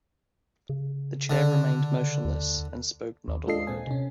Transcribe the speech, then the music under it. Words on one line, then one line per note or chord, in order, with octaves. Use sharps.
The chair remained motionless, and spoke not a word.
C#3
D3
D#2
D#2
G#3 D4 F4 A4 D#5 C7
A#2 C4 G#5
C3 C#4